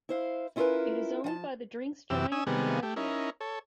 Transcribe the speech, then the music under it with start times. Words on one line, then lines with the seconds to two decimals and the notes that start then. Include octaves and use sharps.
It is owned by the drinks giant Diageo.
0.09 E4 C5 F5
0.56 C#4 E4 F4 G#4 A#4 B4
1.24 F3 F#5 A5
2.10 F#2 C3 E3 G4 E6
2.32 C#4 G#5 D#6 E6
2.47 C3 D#3 G3 B3 G#4
2.83 A3 G4
2.96 C#4 D#4 E4 A#4
3.41 A4 C#5